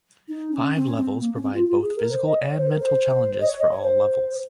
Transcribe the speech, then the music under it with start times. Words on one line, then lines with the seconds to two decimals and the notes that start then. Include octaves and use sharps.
Five levels provide both physical and mental challenges for all levels.
0.28 D#4
0.52 C#4
0.75 C4
0.86 C#4
0.97 C4
1.20 A#3
1.35 C#4
1.43 C4
1.54 F4
1.66 F4
1.81 G#4
1.96 A#4
2.11 C5
2.25 D#5
2.41 C#5
2.57 C5
2.68 A#4
2.80 C5
3.40 D#5
3.47 C#5
3.59 D#5
3.71 C#5
3.81 C5